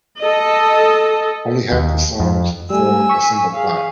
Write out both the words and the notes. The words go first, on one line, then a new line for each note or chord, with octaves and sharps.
Only half the songs form a single plot.
A4 D#5
D#2
F2
G3 A3 G#5 E6
C#6 B6
G#4 F5